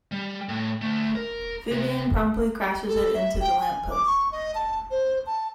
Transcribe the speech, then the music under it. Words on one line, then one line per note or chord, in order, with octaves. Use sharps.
Vyvyan promptly crashes it into the lamppost.
G3
A2
D2 A3
A#4
C3
A4
E5
G5
G#5
D6
C#6
D#5
A5
C5
A5